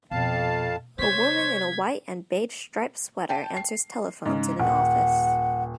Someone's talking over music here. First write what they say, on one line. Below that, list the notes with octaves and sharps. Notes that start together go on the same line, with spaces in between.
A woman in a white and beigestriped sweater answers telephones in an office.
F2 B2 F5 A5
C3 C5 C#5 G#6 B6
G5 A5
C7
G#2 C#3
D#1 F#5